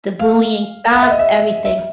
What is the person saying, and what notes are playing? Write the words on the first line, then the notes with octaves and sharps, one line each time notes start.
The bullying stopped, everything.
F5
F5
E5
D#5
E5
E5